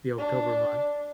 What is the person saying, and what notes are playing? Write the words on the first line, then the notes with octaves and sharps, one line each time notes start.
the October month,
D4